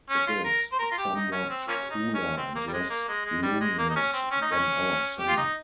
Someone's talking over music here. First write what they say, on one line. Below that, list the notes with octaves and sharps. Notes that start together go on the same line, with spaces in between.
It is somewhat cooler and less luminous than our Sun.
C#4
F4
A#4
C5
A#4
F4
G4
D#4
C#4
C4
F3 A#3 C#4
D#4
C#4
C4
A#3
G3
G#3
A#3
G#3
G#3
G3
G#3
A#3
D#4
C#4
C4
C#4
D#4
C#4
G4
F4
D#4